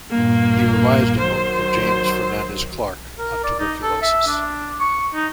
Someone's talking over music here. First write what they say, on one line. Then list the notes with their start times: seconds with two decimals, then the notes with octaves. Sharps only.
He revised a book of James Fernandez Clarke on tuberculosis.
0.11 G2 A#2 A#3
1.20 D#3 F#3 C5
3.19 A#4
3.44 D5
3.60 D#4
3.83 A4
4.02 E5
4.27 D4
4.80 C#6
5.14 D#4